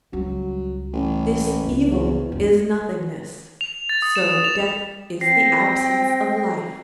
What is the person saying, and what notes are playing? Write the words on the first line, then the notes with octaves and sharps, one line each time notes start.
This evil is nothingness; so death is the absence of life.
C#2 F#3 G3
A1
C#2
E2
E1 F#2
F7
A6
D#6
E7
F7
C4 G5 A#6 C7